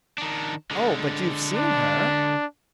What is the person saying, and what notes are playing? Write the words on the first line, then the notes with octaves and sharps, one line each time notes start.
"Oh, but you've seen her."
D#3 D4
D3 G#3
D4